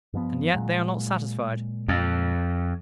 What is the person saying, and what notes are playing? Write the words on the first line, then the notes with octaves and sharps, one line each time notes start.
And yet they are not satisfied.
G2 F3 B3
A#2 F#3 G#3
F2